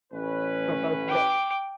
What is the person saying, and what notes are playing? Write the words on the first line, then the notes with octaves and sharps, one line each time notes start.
for both work
A1 C#4 B4
G5 D6